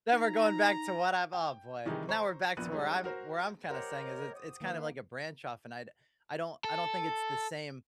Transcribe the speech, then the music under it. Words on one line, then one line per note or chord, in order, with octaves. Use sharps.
then we're going back to what I've Oh, boy, now we're back to where I'm where I'm kinda saying is it's it's kind of like a branch off, and I d I don't I don't think it's the same,
D#4 A#5
G5
C3 D#3 E3 G3 D#4 G#4
C5 A#5 C#6
A#1 A#2 B3 F#6 D#7
G3 G#3 C#4 D#4 G#4
F#4 A#4 C5
G4 A#4 C5 C#5 D#5 F#5
D#6
D#3 A#3 B4 F5 F#5
A4